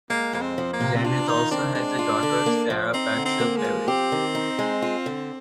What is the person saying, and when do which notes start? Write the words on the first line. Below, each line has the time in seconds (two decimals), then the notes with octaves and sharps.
Janet also has a daughter, Sarah Parshall Perry.
0.10 G#3 A#3
0.33 F2 A#3
0.41 C4
0.58 F3
0.74 A#3
0.80 C3
0.96 C4
1.04 D4 F4
1.28 D#3 D#4
1.51 C4 D4
1.75 G#3 D4
1.99 F4
2.23 D3
2.46 A#3
2.70 F3
2.94 C4 D#4
3.17 D3
3.25 C4
3.40 A#3
3.57 G#3
3.64 F3
3.88 C4 G4
4.12 D#3
4.35 D#4
4.59 G#3
4.82 F4
5.06 D3